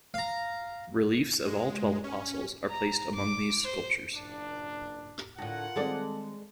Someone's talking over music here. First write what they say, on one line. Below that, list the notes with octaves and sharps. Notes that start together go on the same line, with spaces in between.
Reliefs of all twelve apostles are placed among these sculptures.
F5 A#5
G#3
C#4
A#5
D6
C5
F#1 A#2 D4
D2 A2 F4 A#4 F#5 G5 A5 A#6
D#3 G3 G#3 C4 A4 D5